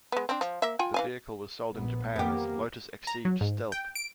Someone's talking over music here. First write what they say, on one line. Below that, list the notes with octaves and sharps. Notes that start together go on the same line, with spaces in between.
The vehicle was sold in Japan as 'Lotus Exige Stealth'.
G#3 B3
C4 D4
F3
A#3 E5
F4 G5 G#5
E3 F5 G#5
A#1 B3
F2 D#3 A#3 B3 G4
A#5
F#3
G#2
G5
D7